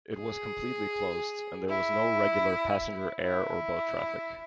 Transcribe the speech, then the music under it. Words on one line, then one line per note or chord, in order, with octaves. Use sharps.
It was completely closed, and there was no regular passenger air or boat traffic.
G#4
E4
E4